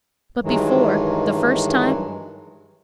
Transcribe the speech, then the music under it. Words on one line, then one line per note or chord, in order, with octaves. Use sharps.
But before--the first time?
G2 D#3 E3 F#3 G#3